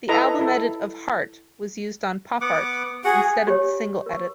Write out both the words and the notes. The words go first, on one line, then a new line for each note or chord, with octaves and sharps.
The album edit of "Heart" was used on "PopArt" instead of the single edit.
E4 A4 B4 D#5 A#5
E4 A4
B3 F#5 D6
F#4 G#4 F#5
G4 C#5
A#4 C#6